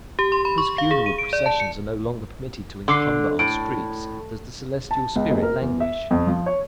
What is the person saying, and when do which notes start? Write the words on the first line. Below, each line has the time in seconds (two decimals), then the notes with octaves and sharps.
Because funeral processions are no longer permitted to encumber our streets, does the celestial spirit languish?
0.19 G4
0.32 C6
0.45 B5
0.58 C#6
0.78 F5
0.91 G#4
1.06 D#7
1.18 D7
1.33 D5
1.46 A5
1.60 C#7
2.88 D3 C6 D6 C7
3.39 A2 D7
4.91 A5
5.16 C#2
5.31 F#1
5.43 A#4
5.62 E2
5.80 E5
6.11 F2
6.27 F3
6.46 C#5